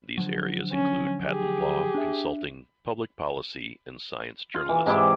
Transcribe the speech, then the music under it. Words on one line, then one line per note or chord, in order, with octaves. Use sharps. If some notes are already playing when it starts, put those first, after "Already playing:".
These areas include patent law, consulting, public policy, and science journalism.
D3 F3 F#3
C#4
G4 G#4
D4 E5
F4
E3
G#2 C3 E4 D5